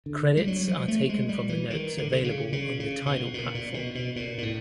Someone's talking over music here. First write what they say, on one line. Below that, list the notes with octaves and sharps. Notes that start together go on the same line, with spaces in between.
Credits are taken from the notes available on the Tidal platform.
D3
G3
F#3
F3
A3
G#3
G3
E3
D#3
D3
D3
C#3
C#3
C#3
B2
A#2
A#2
B2
B2
A#2
A#2
A2